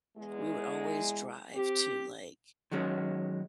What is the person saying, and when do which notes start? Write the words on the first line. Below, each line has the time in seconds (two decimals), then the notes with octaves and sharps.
we would always drive to, like,
0.17 E2 G#3
1.54 C4 G4
2.71 D#3 F#3 G#3 C#4